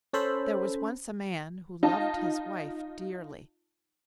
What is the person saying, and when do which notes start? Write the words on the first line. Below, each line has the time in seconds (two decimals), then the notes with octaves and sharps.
There was once a man who loved his wife dearly.
0.13 C#4 A4 C5 B5
1.83 D#4 F4 A5